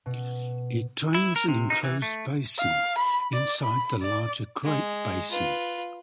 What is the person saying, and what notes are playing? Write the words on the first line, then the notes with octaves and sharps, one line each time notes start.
It drains an enclosed basin inside the larger Great Basin.
B2
E4
A#4
C3
D#4
E3
A3
F5
B5
D5
B5
D5
G#3
F4 B4